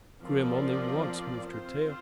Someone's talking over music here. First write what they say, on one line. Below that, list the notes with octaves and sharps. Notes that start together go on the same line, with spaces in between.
Grim only once moved her tail.
F3 C4 F4 A#4 D5
C4 F4 C5